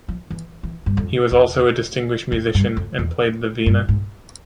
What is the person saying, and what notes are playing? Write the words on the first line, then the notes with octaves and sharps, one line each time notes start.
He was also a distinguished musician and played the veena.
F3
E3
E3
G2
F2
E2
F2
G2
F2
E2
G2
G#2